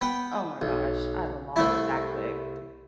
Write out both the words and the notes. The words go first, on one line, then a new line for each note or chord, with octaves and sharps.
Oh my gosh, I done lost it that quick.
B3 G5
B1
C2 A3 E4